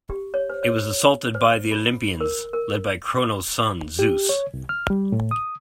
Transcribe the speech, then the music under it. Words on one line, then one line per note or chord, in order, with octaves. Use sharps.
It was assaulted by the Olympians, led by Kronos' son Zeus.
G4
C#5
C5
C#5
C5
F4
A#4
A#4
G4
C#5
C2
F6
G3
A2
D#6